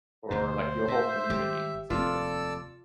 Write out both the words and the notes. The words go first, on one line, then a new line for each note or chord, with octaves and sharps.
for, like, your whole community, essentially.
D2 G#2 B2 C5
A2 E5
G#1 G3 G4
F1 D#2 C4 F4 A4 D5 E6